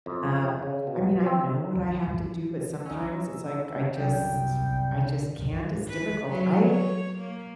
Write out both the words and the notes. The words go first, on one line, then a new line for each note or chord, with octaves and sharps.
Um, I mean, I know what I have to do, but sometimes it's, like, I just I just can't. It's difficult. I
F2
C#3
B2
C4
C#4 D#4 E6
C2 F#2 G3 G5
B4
F#3
C#5
A#3